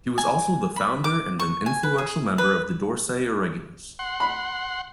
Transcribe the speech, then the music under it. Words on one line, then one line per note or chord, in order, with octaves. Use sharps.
He was also the founder and an influential member of the Dorsai Irregulars.
G#5
B5
D6
C#6
G#5
B4
G#4
B4
F#5 C6
B5